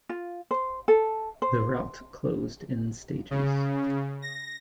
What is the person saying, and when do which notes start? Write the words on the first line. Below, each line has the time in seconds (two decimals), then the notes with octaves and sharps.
The route closed in stages.
0.09 F4
0.51 C5
0.88 A4
1.42 C5
3.31 C#3
4.22 A#6